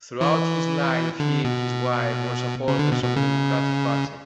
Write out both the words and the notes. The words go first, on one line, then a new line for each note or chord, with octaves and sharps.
Throughout his life, he and his wife were supporters of the Democratic Party.
E3
D3
B2
C#3
D3
B2
B2
C#3